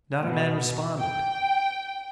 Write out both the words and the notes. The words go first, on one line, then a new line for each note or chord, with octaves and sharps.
Not a man responded.
B2
G5